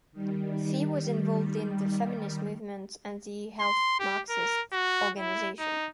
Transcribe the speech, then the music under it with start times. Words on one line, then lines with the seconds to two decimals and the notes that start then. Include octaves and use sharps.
Fee was involved in the feminist movement and the Health Marxist Organisation.
0.12 D#3 G3
3.60 C6
3.99 G4
4.29 A#4
4.72 F#4
5.18 E4
5.59 D#4